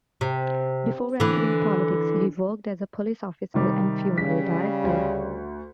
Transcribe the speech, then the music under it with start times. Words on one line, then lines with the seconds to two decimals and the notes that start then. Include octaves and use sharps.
Before entering politics he worked as a police officer and funeral director.
0.21 C3
1.20 D3 E3
3.54 C3 D#3 G3
4.18 C#3 G3 B6
4.84 D2